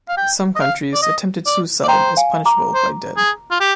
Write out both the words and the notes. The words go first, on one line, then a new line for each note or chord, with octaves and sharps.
In some countries, attempted suicide is punishable by dead.
F5
G5
D#5
F5
D5
D#5
D5
D5
C5 G5 A#5
F5 G#5
A#5 D6
C5
G#4
F4
G4